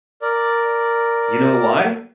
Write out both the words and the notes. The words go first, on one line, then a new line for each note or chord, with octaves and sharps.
you know why?
A#4 D5